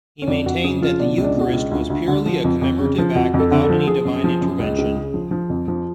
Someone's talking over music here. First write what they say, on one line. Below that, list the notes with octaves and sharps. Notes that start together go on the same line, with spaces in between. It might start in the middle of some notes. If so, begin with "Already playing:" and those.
He maintained that the eucharist was purely a commemorative act without any divine intervention.
C#4
F2 D4
F2 F#4
C#3 G#4
F3 F4
B2 D4
C#2
D4
B2
F#4
F4
C#2
D2
D2
D3
F3
F2
F2
C#3
F3
F2 F#4
F2
A4
D3
A4
F3
F3 G#4
F#2
F3
F#2
C#2
C#2
C#3
F3
F3
F2
F3